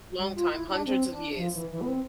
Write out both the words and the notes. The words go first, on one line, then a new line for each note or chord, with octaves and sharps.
Long time, hundreds of years.
G3
F4
E4
D4
C4
D4
F3
E3
E3
B3
C4